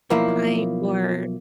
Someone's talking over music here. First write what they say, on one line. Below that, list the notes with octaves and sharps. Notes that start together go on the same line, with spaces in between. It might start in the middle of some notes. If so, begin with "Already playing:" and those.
pint or
B1 F3 A#3 E4